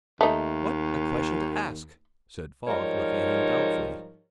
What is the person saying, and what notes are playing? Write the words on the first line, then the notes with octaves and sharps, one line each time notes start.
"What a question to ask," said Falk, looking at him doubtfully.
D#2 A3 D#4
G#2 F3 G3 D#4 A#4 C#5